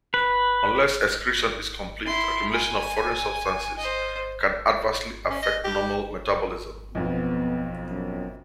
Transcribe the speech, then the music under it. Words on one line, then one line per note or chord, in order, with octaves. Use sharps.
Unless excretion is complete, accumulation of foreign substances can adversely affect normal metabolism.
B4
E4 C6
G#5
C5 D#5
C#4
D#5
G4
B1 F2 B3
F#2